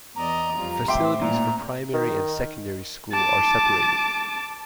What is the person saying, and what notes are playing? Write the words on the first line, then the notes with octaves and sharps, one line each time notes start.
Facilities for primary and secondary school are separated.
E2 D5 D#5 A#5
F2 G3 F4
A2 C4 E5 G5 C6 D6
A#2 A#5
D#3
A5 D6